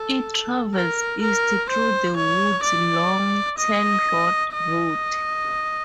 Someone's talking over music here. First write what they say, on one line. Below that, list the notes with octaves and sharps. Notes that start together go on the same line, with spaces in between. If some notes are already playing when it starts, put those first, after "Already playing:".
It travels east through the woods along Ten Rod Road.
Already playing: A4
A#4
A#4
C5
C#5
D5
D#5
D#5